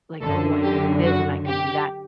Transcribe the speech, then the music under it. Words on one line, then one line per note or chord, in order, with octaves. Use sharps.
like, "Oh, I could do this and I could do that,"
F#2 D3 A4
G4
F#4
G4